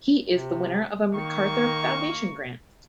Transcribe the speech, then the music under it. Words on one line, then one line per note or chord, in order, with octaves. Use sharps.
He is the winner of a MacArthur Foundation grant.
C3
D#3 A#3 C#6